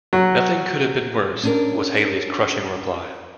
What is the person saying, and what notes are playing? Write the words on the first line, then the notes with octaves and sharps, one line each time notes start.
"Nothing could have been worse," was Hallie's crushing reply.
F#3
C#4 D4 A#4